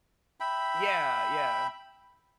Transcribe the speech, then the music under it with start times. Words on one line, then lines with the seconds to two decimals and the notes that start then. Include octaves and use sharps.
Yeah, yeah.
0.40 E5 G5 B5